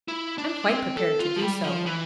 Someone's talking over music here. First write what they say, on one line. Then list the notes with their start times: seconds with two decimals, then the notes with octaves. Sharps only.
I'm quite prepared to do so.
0.08 E4
0.38 D4
0.68 C4
0.97 A4
1.19 F4
1.36 F3
1.42 G3
1.64 F3
1.86 E3